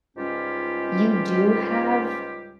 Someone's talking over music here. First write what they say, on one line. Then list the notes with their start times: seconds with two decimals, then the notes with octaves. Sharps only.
you do have
0.17 C#2 G#2 G3 C#4 F4 G4